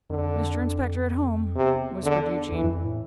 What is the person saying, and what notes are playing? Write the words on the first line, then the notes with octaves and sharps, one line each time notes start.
'Mr Inspector at home?' whispered Eugene.
F2 D3
E2 C3
D3
E2 E3
G2
F2
A2